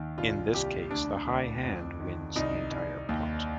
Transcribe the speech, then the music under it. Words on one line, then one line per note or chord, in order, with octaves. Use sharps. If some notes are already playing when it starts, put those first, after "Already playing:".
In this case, the high hand wins the entire pot.
Already playing: D#2 D#3
C2 F4
C2 G4
D2 D4
D2
F2
D#3
C2 D#4
C2
D#2